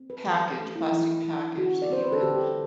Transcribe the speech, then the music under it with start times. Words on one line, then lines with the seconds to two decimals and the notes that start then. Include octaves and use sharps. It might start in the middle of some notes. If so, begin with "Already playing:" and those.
package plastic package that you can,
Already playing: C4
0.10 B4
0.26 E3 A4
0.59 A3 A4
0.76 E4
0.91 E3 E4
1.24 E3
1.57 D3 F#4
1.82 D5
1.90 C4 C5
2.02 B4
2.12 A4
2.23 D3 G4